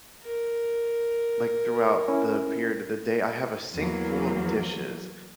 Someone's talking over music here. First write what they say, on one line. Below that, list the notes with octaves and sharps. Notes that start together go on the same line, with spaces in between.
like, throughout the period of the day, I have a sink full of dishes,
A#4
C#4 E4
E2 F#3 A#3